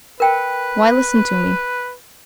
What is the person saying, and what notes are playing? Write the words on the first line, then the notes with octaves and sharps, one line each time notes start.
Why listen to me?
A#4 B4 G5